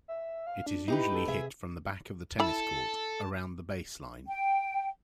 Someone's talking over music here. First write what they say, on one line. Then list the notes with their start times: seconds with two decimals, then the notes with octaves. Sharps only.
It is usually hit from the back of the tennis court, around the "baseline".
0.08 E5
0.47 F5
0.66 D4
0.88 D#4 E4 G4 B4
1.14 A4
1.28 C3 G#4 E5
2.40 E4 A4 A5 B5
4.27 G5